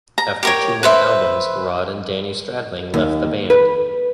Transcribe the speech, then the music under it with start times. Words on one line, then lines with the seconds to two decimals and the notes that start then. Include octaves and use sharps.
After two more albums Rod and Danny Stradling left the band.
0.18 A#5
0.43 G4 A#4 C#5
0.83 B4 C5 E5
2.94 D#2
3.50 B4